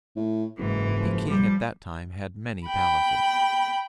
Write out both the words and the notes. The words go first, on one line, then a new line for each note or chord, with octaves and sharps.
Peking at that time had many palaces.
A2
F#1 G#2 E3
F3
G3
G5 B5